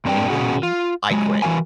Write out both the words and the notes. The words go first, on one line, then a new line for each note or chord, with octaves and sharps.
between you and me, I quit.
G2 C4 D4 A#4 G5
A#2 C#4 F#4 G#4 F#5
F4
F#3 G#3
E3 F#4 A#4 F5 G#5